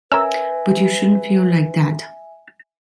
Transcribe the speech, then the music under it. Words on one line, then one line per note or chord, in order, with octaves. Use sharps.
But you shouldn’t feel like that.
C#4 A#4 B4 E5 G#5 E6